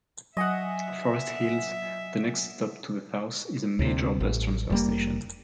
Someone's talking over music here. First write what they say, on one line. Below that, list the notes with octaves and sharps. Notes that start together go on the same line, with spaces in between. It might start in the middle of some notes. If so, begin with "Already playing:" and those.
Forest Hills, the next stop to the south, is a major bus transfer station.
F#3 D#5 E5 F#5 G#5 C#7
D2 C3
A1
F1 G3 A#3